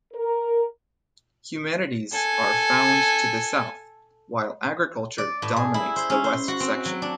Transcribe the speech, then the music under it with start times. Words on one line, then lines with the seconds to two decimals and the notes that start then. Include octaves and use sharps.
Humanities are found to the south, while Agriculture dominates the west section.
0.14 A#4
2.12 A4 G#5
5.18 D5
5.42 A2
5.56 G#4
5.74 E4
5.96 C5
6.10 C#4
6.24 C5
6.48 F#4
6.60 C4
6.85 F#3
7.02 D4